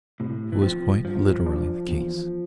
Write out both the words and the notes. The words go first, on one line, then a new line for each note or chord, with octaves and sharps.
It was quite literally the case.
A2 C3
E3
F3 C4
G2 F3
D4
E2